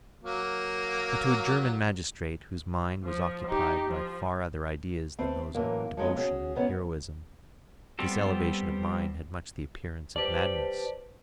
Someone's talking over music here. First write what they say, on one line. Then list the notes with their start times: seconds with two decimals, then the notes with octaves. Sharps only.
But to a Genevan magistrate, whose mind was occupied by far other ideas than those of devotion and heroism, this elevation of mind had much the appearance of madness.
0.24 F#3 A#3
3.05 F3
3.47 D#4 G4
3.90 F3
5.18 A3 C4 B4 C5
5.55 F#2 A2 E3 A#3
5.97 F3 F#3 G#3 B3 C#4
6.17 C#4 F#4 G#4
6.56 G#2 B3 C#4
7.99 G3 B3 C4 G4 A4
10.16 G4 B4 C5 D5 A5